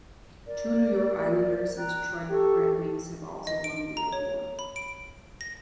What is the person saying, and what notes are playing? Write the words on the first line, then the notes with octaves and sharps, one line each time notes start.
Two New York Islanders and Detroit Red Wings have also won the award.
A#4 D5
G5 A#5 F#6
G4 A4 C#6
D#5
D7
A#5
C#5
B5
D7
A#6